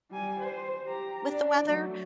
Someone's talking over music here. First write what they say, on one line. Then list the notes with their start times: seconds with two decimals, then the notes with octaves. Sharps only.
with the weather.
0.11 G3 G#5
0.40 C5
0.86 G4 A#5
1.29 D4 D5
1.66 F#3 A3